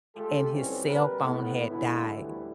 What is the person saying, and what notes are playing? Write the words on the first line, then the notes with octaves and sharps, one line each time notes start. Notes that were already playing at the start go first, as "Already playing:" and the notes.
and his cell phone had died.
G#3 A3 F4 G4 A4
D2 E3 F#3 G3 C4 C#4
B1 G3 A#4 B4
A2 B3
F#2 D3 G#3 E4
D2 A2 E3 F#3 G3 A3